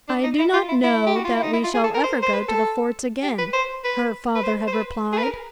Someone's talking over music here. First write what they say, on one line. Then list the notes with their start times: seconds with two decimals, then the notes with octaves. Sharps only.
"I do not know that we shall ever go to the forts again," her father had replied.
0.09 D4
0.23 D#4
0.39 E4
0.53 F4
0.68 E4
0.83 E4
1.06 G4
1.16 F#4
1.24 F4
1.34 E4
1.43 D#4
1.53 E4
1.64 F4
1.74 G#4
1.84 A4
1.94 A#4
2.04 C5
2.22 C5
2.33 B4
2.48 A4
3.23 G4
3.38 B4
3.53 C5
3.84 B4
4.35 B4
4.43 C5
4.67 C5
4.73 B4
5.13 G#4
5.18 B4
5.23 A#4